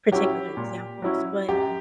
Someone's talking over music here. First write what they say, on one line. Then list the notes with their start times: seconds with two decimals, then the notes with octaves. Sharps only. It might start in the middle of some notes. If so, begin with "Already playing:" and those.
particular examples- but
0.12 F#3 C#4 E4 G4
0.57 A#2
1.02 F#3 C#4 E4
1.48 F#2 G4